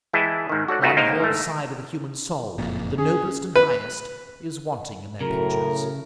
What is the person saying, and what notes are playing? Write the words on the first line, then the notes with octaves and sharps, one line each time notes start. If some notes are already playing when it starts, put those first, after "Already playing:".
One whole side of the human soul, the noblest and highest, is wanting in their pictures.
E3 G#3 E4 G#4 G5 A5
G#2 D#3
F#4 A4 C#5 D5 F#5
G3 A3 B3 D#4 F4 F#4
G#3 A#3 D#4 A#4 C5
G#2 A3
F#1 F2 A#2
C#4 G#4
B4
F#2 A2 C#3 A#4